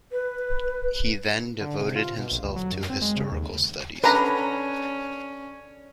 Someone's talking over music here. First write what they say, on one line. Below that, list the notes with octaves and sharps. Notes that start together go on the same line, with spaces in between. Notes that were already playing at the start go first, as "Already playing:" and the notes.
He then devoted himself to historical studies.
B4
D3
C3
F4
B2
A#1
D2
F#3
F#2
C4
G#3
C#3
D#2
D3 C#4 B4 A#5